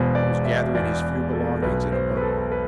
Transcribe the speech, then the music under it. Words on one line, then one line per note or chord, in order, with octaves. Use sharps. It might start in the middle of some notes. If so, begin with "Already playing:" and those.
He was gathering his few belongings in a bundle.
Already playing: E1 E2 B2 C5
D5
E5
E1 E2 B2 D5
A4
B1 B2 B4
C5
B4
A4
B4